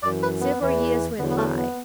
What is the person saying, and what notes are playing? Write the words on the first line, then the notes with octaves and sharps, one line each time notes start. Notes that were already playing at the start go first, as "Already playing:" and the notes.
Several years went by.
F#2 E3 D5
B4
B3
E2 E3
E2 D3 F#3 B3
B3
A3
B3